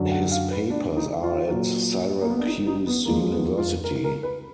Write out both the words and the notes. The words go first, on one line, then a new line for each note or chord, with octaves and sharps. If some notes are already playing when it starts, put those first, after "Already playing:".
His papers are at Syracuse University.
Already playing: F#2 D3 F#3
F#5
F5
B4
D4
D#4
F4
A#2 F#3
A#3
B3
D4
D#4
D#4
B3
F2 F3 G#3 A#3
B3
F4
A#4
A#4
B4